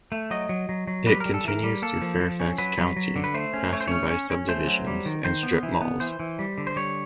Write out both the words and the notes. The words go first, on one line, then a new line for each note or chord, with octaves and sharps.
It continues through Fairfax County, passing by subdivisions and strip malls.
A3
F#3 D#5
F#3
F#3
F#3
G3 B4
A#4
G3
A4
E3 A#4
G3
A#3 A4
F3
F3
C#4
F#3 B4
F#3
F#3
D3
B4
A3 C5
C#4
A3 C#5
C5
C#4 C#5
C#4
C#4
A3 C5
F#3
G3
D#3
D#3 C5
B3
E3
B3
E3 C5
E3
G3
D3
C5
G3 C#5